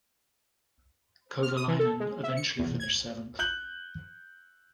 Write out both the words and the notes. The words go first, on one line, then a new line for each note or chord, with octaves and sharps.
Kovalainen eventually finished seventh.
F6
D#6
E3
A4
G#3
E5
C#7
E2
G#6
F#6 G6 F#7